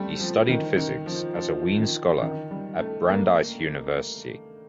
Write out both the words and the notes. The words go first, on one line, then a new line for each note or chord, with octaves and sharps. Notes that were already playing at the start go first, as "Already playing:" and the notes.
He studied physics as a Wien Scholar at Brandeis University.
Already playing: G3 A3 C4
F3
D#3
D#3
F3
F3
D#3
D#3
G3
A3
A#3